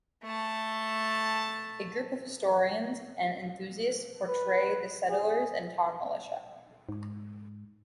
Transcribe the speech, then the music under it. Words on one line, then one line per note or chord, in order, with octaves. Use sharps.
A group of historians and enthusiasts portray the settlers and town militia.
A3 A5
B4
G#4
G#2